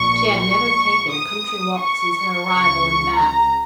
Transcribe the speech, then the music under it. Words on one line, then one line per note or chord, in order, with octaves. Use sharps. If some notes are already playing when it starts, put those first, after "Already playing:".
She had never taken a country walk since her arrival in Bath.
Already playing: A#1 A#2 C#6
C#6
D#6
C#6
C#2 C#3 C#6
A#5